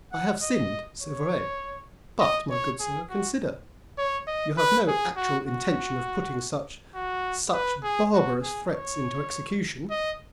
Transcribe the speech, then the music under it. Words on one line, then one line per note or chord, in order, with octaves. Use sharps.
"I have sinned--c'est vrai--but, my good sir, consider!--you have no actual intention of putting such--such barbarous threats into execution."
F#5
D#5
C#5
D#5
C#5
G#4
F#4
C#5
D#5
B4
G#4
F#4
F#4
F#4
B4
G#4
F#4
G#4
C#5
D#5